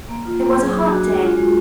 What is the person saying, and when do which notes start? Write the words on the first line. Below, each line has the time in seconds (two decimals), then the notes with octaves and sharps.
It was a hot day.
0.09 A#3
0.25 F4
0.40 A#3
0.57 F#3 G#4
0.73 D4
0.88 F#4
1.04 G#3
1.21 F4
1.37 G#3